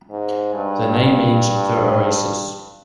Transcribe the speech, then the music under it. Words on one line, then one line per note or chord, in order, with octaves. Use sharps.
The name means "the oases".
G#2
G2